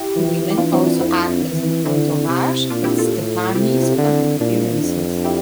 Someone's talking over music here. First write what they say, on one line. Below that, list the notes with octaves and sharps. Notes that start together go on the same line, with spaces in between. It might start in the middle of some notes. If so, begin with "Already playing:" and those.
The women also act as an entourage at Stefani's public appearances.
Already playing: E4 G4
E3
G4
E3 D4 F4
C4 E4
D4
F2 C4 E4
E3
D3 C4 E4
C3
A#2 D4 F4
E4 G4
F4 A4
A2
C3 E4 G4
C4 E4
D3
A#2 D4
F2
E4 G4